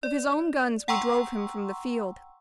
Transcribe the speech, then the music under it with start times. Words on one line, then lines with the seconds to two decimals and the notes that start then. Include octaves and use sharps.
With his own guns we drove him from the field.
0.03 D5
0.88 F#5 G5 A#5 C6 C#6 E6